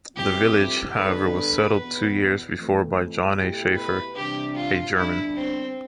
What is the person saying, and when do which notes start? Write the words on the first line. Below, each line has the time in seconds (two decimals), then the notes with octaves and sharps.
The village, however was settled two years before by John A. Shaeffer, a German.
0.15 G2 F3 A3 C4 E4 G4
0.95 D3 G3 B3 D4 A4 B4
1.76 E2 B2 B3
2.55 F2 E3 A3
3.35 B2 A3 E4 G4
3.76 B4
4.15 C3 E3 G3 D4 G4
4.55 F4
4.96 D3 G3 B3 D4 E4
5.36 C4